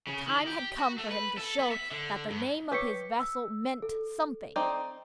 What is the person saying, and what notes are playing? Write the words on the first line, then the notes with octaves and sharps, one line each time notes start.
The time had come for him to show that the name of his vessel meant something.
C#3
D#3
G4
F#4
A3
B4
A4
B3
E5
D3
G2
G4 B4 C#5 B6 C#7
E6
A4
C4 D#4 D5